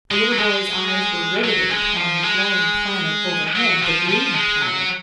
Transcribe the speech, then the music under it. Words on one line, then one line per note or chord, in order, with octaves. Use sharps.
The little boy's eyes were riveted upon the glowing planet overhead, the green planet.
G#3
F#3
G#3
F#3
G#3
F3
G#3
F#3
F3
F3
G#3
F#3